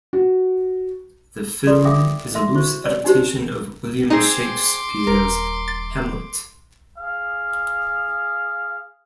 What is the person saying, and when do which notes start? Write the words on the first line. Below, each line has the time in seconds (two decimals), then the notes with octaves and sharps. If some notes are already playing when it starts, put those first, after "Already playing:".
The film is a loose adaptation of William Shakespeare's "Hamlet".
0.13 F#4
1.67 F4 A4 D5 C6
1.85 E5 F5 G5 D6 D#6
2.35 E5 C6
2.55 E4 F#4 C5 C#6
2.84 C#5 D5
3.04 D4 D#4 F#4 G4 C5
4.10 C4 D#4 G#4 C6 D6
5.07 D#1 A#4
5.68 A6
6.98 G#4 F5